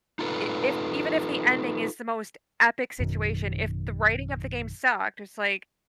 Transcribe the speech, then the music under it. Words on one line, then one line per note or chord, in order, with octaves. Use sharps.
I if even if the ending is the most epic situation, if the writing of the game sucked, it's like,
D#4 F4 A4 B4
A1 F#2 B2 D#3